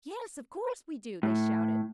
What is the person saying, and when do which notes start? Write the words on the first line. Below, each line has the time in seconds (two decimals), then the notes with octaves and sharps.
"Yes, of course we do," they shouted.
1.23 A2